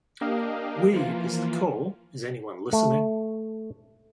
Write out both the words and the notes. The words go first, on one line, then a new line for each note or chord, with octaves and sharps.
"We" is the call, is anyone listening?
A#3 D4 G4 A#4 D#5 F5
E3 F3 A#3 F4
A3